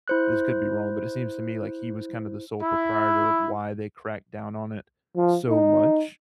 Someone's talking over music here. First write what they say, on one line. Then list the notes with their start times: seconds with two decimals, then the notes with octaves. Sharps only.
this could be wrong, but it seems to me like he was kinda the sole proprietor of why they cracked down on it so much
0.08 E4 C5 F#6
2.61 E4
5.16 F3
5.49 D#4